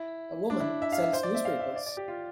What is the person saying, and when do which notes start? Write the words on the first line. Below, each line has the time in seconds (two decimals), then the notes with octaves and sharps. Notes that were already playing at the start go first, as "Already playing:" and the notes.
A woman sells newspapers.
Already playing: E4
0.50 D4
0.60 E4
0.82 E5
0.92 F5
1.02 E5
1.13 C5
1.23 D5
1.34 E5
1.45 F5
1.60 E5
1.76 D5
1.86 D5
1.97 G4
2.08 F4